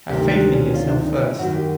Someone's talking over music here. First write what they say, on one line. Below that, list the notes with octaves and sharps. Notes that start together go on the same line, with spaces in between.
Have faith in yourself first.
D2 C3 D#3 G4
D4
C#4
F4
D4
D#4
E4
F4
F#2 D#3 F#4
G4